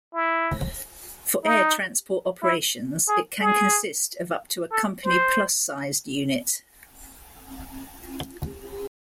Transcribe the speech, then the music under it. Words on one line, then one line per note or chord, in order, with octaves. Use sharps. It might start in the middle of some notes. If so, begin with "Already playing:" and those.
For air transport operations, it can consist of up to a company-plus-sized unit.
E4
D#4
E4
G#4
G#4
A4
C5